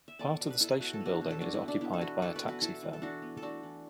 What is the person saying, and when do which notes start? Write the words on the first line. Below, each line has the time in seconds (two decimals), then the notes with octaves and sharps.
Part of the station building is occupied by a taxi firm.
0.08 E5
0.19 B3 A4 D5
0.41 B2
0.51 B4
0.60 B2 E4 A4
0.81 B3 F#4
0.93 A4
1.01 B3
1.06 D4 F#4
1.21 B2
1.31 A4
1.41 B2 D4 F#4
1.54 E4
1.61 B3
1.68 D4
1.81 B3 E4
1.93 A4
2.01 E3 F#4 B4
2.22 E3 A4 D5
2.36 F#4 B4
2.42 B3
2.48 F#4 B4
2.62 B3 E4 A4
2.83 E3
2.93 A4
3.02 E3 D4 F#4
3.22 B3
3.37 A4
3.42 A3 D4 F#4
3.63 E3